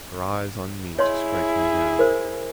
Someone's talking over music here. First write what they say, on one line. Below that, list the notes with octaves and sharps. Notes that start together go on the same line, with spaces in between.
Her eyes on me to strike me down.
E4 G#4 C#5 D#5 C6
A#4 C5